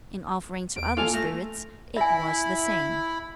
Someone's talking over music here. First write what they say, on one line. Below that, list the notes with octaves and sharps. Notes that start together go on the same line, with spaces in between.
In offering to other spirits it was the same.
E2 D7
A#3 F4 A4 F5 G#5
A3 A#6
E4 E5 G#5 B5